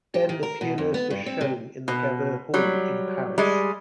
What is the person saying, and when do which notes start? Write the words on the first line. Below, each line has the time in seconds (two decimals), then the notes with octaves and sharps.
Then the pianos were shown in the Gaveau Hall in Paris.
0.14 G4
0.29 D#3
0.43 A#4
0.61 B2
0.78 F2
0.94 B3
1.10 G2
1.26 C4
1.41 C3
1.88 B2
2.54 F#3 G3
3.38 G3 G#3